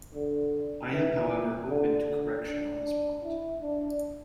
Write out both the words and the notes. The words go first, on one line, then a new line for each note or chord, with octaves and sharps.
I am however open to correction on this point.
D3
E3
D3
D3
D4
D4
E4
D4